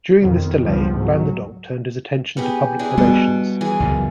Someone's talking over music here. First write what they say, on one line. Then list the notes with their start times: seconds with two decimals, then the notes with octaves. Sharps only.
During this delay, van der Donck turned his attention to public relations.
0.20 F2 B2 D#3
0.63 C#2 G2 F3 B3
0.95 G#2 F#3
2.37 B3 G4 G#4
2.79 D4 E4 G#4
2.98 B2 G3 B3
3.61 E3 G#4 G#5
3.80 C#2 F#2 A#2